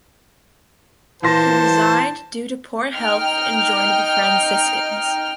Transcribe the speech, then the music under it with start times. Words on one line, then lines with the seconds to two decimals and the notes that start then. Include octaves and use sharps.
He resigned due to poor health and joined the Franciscans.
1.23 A#2 E3 C5 A5 C6 A#6
2.96 D#4 G5 F6